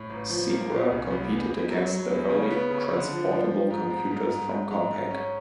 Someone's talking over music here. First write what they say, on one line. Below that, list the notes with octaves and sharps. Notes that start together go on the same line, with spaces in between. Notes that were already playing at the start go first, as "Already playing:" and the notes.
Seequa competed against the early "transportable" computers from Compaq.
Already playing: A2
A1
F3
A#3
A#2
C2
C2
E2
E2
F#3
F#3
E2
C#3
B3
C#3
D3
F3
F3
F3
G#2
G#2
G#2
G#2
G#2
G#2
G#2
C#4